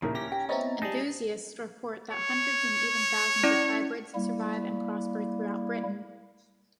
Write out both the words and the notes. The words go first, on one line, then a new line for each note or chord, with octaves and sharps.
Enthusiasts report that hundreds and even thousands of hybrids survive and prosper throughout Britain.
D#2 A#2 C#3 F3 D#4 E4 A#4
C#4 G4 A#5 A#6 B6
G4 G5
B3 C4 E4 C#5 D#5 A#5 A6
G3 D#4 G#4 A5
C#5
C#4 E4 D5
G3 A#3 E4